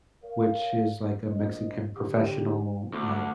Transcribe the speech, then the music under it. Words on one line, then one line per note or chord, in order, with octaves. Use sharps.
which is like a Mexican professional, like,
A#4 C#5 F5
A#1 F2 D#5
D3 G4
D2